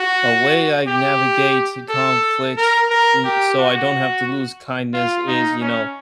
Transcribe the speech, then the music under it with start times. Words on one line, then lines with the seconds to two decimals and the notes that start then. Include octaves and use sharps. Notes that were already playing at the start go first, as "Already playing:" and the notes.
A way I navigate e conflict n so I don't have to lose kindness is, you know,
Already playing: F#4
0.88 G4
1.89 A4
2.58 A#4
2.90 A#4
3.25 G4
3.59 F#4
4.94 F4
5.27 D#4
5.61 C#4